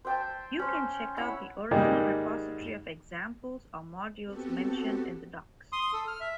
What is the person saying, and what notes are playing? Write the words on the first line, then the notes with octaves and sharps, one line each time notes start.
You can check out the original repository of examples or modules mentioned in the docs.
C5 E5 G5 A5
C#4 C5
E4 C#5 F#5 B5
G#2 D#3 G3 G#3 A#3 G4
B3 C4 F#4 G4 A4
C6 D#6
A4
F6
E5